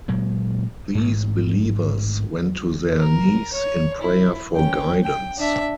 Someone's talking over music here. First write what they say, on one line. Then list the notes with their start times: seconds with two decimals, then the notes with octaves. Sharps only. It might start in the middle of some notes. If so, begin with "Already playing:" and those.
These believers went to their knees in prayer for guidance.
0.08 A#2 F#3 G#3 A#3
0.95 A1 G#2
2.99 A#4
3.53 C#5
4.01 E4
4.55 C#4 G5
5.03 G5
5.38 D4 E5